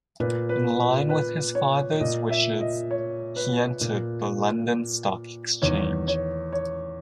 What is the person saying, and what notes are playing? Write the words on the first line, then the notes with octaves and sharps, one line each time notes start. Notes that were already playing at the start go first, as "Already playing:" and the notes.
In line with his father's wishes, he entered the London Stock Exchange.
A#2 B4
B4
B4
B4
C#5
A#2 D#5
E5
D#5
C#5
B4
A#2
E2 D#3 C#5
C#5
C#5